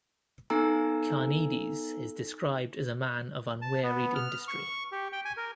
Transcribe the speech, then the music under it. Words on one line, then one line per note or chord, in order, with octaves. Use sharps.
Carneades is described as a man of unwearied industry.
B3 D#4 A4 G#5 A#5 E6
A5
B3
F6
C#6
G4
G5
G#5
A#4